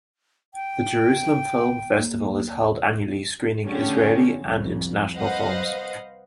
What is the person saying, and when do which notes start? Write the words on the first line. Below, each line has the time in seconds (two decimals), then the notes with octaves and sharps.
The Jerusalem Film Festival is held annually, screening Israeli and international films.
0.54 G5
1.98 A#3
3.66 D3 A3 C#4 G4 G#4
4.40 C2 F2
5.16 B4 C5 D#5 F5 F#5